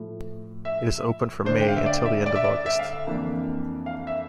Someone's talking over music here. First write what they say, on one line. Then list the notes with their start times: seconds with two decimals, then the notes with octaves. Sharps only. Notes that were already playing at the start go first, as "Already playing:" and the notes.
It is open from May until the end of August.
Already playing: A2 F3 A3
0.65 E5
1.45 D2 D3 A3 D4 C5
1.60 G5
1.68 F5
1.77 E5
1.86 D5
2.06 E5
2.26 D5
2.36 E5
2.44 D5
2.66 E5
2.79 F5
3.07 F2 E3 A#3 D4
3.86 F5
4.07 E5